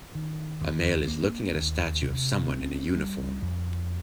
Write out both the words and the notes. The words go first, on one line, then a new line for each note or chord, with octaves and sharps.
A male is looking at a statue of someone in a uniform.
D#3
D#2
A#3
D#2
C3
C4
G3
F2